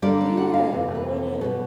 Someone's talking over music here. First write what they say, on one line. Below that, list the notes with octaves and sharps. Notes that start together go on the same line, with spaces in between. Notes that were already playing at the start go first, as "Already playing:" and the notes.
Yeah, I wanna
D3 G3 A#3 D5
F#5
F5
F2 C3 E3
B4
A4
B2 G3 B3 A4